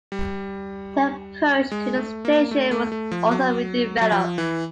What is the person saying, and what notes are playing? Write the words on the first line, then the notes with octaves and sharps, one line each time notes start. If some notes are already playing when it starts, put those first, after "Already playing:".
The approach to the station was also redeveloped.
G3
G#3
A3
A#3
A3
A3
A3
F3
F#3
F#3
F3
E3